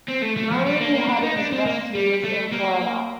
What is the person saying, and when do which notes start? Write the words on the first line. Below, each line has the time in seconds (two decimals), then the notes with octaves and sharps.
Lowry had his best years in Florida.
0.09 C4
0.22 A3
0.37 A3
0.52 F3
0.66 G3
0.81 A#3
0.94 A#3
1.08 D4
1.23 D#4
1.37 D4
1.52 C4
1.66 A#3
1.95 G3
2.24 A3
2.52 A#3